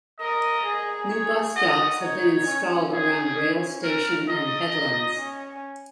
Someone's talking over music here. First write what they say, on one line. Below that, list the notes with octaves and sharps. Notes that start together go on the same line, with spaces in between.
New bus stops have been installed around rail station and headlands.
A#4 D#5
G#4
G#4 C#5
F#4 D#5
D#4 C#5
C#4
C#4 G#4
A#4
D#4 D#5
D#4
C#4